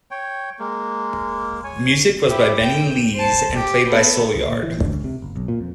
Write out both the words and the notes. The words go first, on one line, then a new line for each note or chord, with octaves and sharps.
Music was by Benni Lees, and played by Soulyard.
C#5 G5
G#3 A#3
C#5 G#5
E4 G4
G5
C5 A5
G4
B3 A4
C#2
A#2
E3
D2
C#2
C3
F#1
B1
A#2
F2